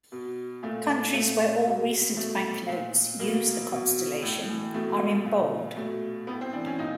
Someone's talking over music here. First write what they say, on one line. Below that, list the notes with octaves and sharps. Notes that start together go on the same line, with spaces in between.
Countries where all recent banknotes use the constellation are in bold.
B2
A#2 A3
A#2 A3
B2
B2 A3
A#2
B2 A#3
B2
A2
E3
B2 A3
A#2
B2 A3
A2 B3
C4
E3 D4
C#4
A#2 D#4